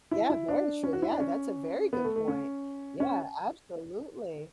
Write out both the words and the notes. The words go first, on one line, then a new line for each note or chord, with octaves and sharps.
Yeah, very true. Yeah, that's a very good point. Yeah, absolutely.
E4
E4
D4
C#4
F#4
E4
D4
C#4
B3
A3
A3
C#4
C#4